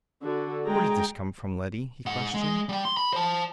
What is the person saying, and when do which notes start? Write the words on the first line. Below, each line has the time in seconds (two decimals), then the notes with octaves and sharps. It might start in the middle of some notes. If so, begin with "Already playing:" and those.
"Where did this come from, Letty?" he questioned.
0.22 D3 F#4 A4
0.65 G#3 G#4 G5 A#5
2.06 G#2 F#5
2.34 G#3
2.69 G3 G5
2.85 C6
2.97 B5
3.13 C5 A5